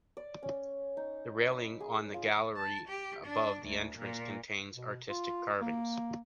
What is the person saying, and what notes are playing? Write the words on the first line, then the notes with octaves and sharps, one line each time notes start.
The railing on the gallery above the entrance contains artistic carvings.
D5
C#4
D#4
B5
G#4
F4
A5
G4
D4
D2
A#2
B2
F4
A#3